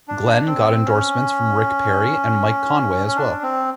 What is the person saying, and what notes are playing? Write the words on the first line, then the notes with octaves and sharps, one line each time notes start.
Glenn got endorsements from Rick Perry and Mike Conaway as well.
D4
C4
C#4
C#4
D4
C4